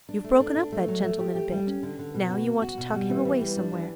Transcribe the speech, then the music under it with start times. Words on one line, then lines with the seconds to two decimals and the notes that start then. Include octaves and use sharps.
You've broken up that gentleman a bit; now you want to tuck him away somewhere.
0.09 D4
0.24 A3
0.40 D4
0.56 D4
0.72 A3
0.88 F#3
1.04 A3
1.20 G4
1.35 G4
1.52 G3
1.67 C#4
1.83 D3
1.99 D3
2.14 B2
2.31 F#4
2.46 F#4
2.62 F#4
2.78 B2
2.94 G3
3.10 E3
3.25 E3
3.41 G3
3.57 D4
3.73 E3